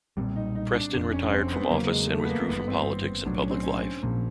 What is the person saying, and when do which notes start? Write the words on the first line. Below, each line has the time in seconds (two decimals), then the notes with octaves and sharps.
Preston retired from office and withdrew from politics and public life.
0.17 B1 A#2 G3 C4
0.36 D#4
0.55 D#4
0.75 D4
0.94 F1 F2 C3 D4
1.13 C#4
1.33 C4
1.52 B3
1.71 E2 C#3 F#3 A#3
1.91 G#3
2.10 A3
2.24 B3
2.29 A#3
2.48 G#1 G2 E3 B3
2.68 C4
3.26 B1 A2 F#3 D4
3.38 C#4
3.51 C4
3.63 C#4
4.03 A#1 A#2 F3 A#3